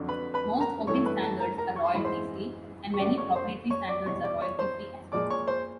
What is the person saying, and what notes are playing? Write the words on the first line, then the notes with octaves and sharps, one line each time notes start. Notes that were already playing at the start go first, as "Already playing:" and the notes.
Most open standards are royalty-free, and many proprietary standards are royalty-free as well.
Already playing: F2 D3 F#3
B4 B5
B4 B5
A#4 A#5
G2 E3 A3 C#5 C#6
B4 B5
A4 A5
A#4 A#5
A#4 A#5
C#6
C6
G#2 E3 G#3 B5
C5 C6
C#6
F#2 C#3 F#3 A3 D5 D6
C#5 C#6
C5 C6
C#5 C#6
D5 D6
E2 B2 G3 C#5 C#6
D5 D6
C#5 C#6
C5 C6
A#2 F3 G#3 D5 D6
C#5 C#6
C5 C6